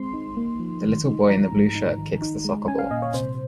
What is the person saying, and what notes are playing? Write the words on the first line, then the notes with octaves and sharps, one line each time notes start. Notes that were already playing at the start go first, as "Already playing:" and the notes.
The little boy in the blue shirt kicks the soccer ball.
Already playing: G#3 C4 C6
D#4
A#3
F3
D#3
D#4
F3 A#5
G#2
D#4
D#3
D#4
G#3
C#4 G#5
F5
A#2 D#5
C#5
C3 C5